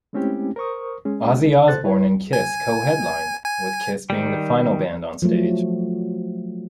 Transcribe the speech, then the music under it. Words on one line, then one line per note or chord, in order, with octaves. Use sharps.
Ozzy Osbourne and Kiss co-headlined with Kiss being the final band on stage.
G#3 A3 C4 C#4 E4 G4
A#4 C5 C#6 D#6
G#3 C#4 G#4
A4 C5 F#6 A6
E4 B4 C#5
G#5
G#5
D#3 G3
F3 F#3 A3